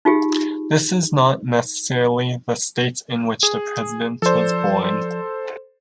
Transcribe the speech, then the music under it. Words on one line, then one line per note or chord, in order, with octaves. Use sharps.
This is not necessarily the state in which the president was born.
D#4 F4 G4 G#4
G#4
F3 A4 C5 D5